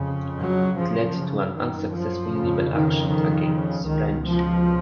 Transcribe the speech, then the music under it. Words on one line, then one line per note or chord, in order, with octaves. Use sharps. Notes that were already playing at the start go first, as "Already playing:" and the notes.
It led to an unsuccessful libel action against French.
Already playing: F2 C#3
F#3
F#2 C#3 F3
C#3
D#3
F3
F2 C#3
D#3
D#3
C#3
C#2 D#3
B2
F3